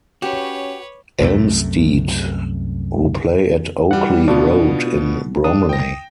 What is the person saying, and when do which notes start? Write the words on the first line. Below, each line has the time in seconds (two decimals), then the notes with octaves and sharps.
Elmstead, who play at Oakley Road in Bromley.
0.22 C#4 F#4 G4 B4 C#5
1.21 C2 F#2 C3 A3
3.91 E3 G3 F#5
4.28 B2 B3 D4 F4
5.44 D4 D#6
5.69 G5 A#6